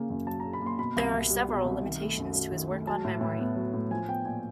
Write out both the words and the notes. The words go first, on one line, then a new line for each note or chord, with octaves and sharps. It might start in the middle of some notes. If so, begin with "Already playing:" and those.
There are several limitations to his work on memory.
Already playing: C#3 A#3
F#2
F#3 A5
C#3 A#5
B5
A#3 C6
B2 B5
C2
C2
G3
B2
C2
D#3
A3
F#2
F#3
D#3
A3
F#3 A5
A2
A2
B3
F#3
A2
F3 G#5
B3 G5
A#2 G#5